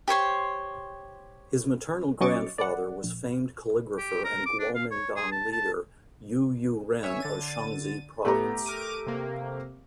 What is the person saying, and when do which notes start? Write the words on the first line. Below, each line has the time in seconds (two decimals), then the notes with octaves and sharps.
His maternal grandfather was famed calligrapher and Kuomingtang leader Yu You-ren of Shaanxi Province.
0.08 G4 C5 C#5 C6
2.20 F#3 C#4 D#5 C#6 D6 A6
2.58 D5 F#5
3.04 A#1
3.98 G4
4.24 A#4
4.45 D6
4.59 D4
4.75 F5
4.91 C#5
5.16 G#4
5.32 A5
5.52 A5
7.03 C#5 E5 G#5
7.20 D3 A6 D#7
8.25 A2 A3 B3 G4 A#5
8.66 A#4 D6 D#7
9.07 C3 A#3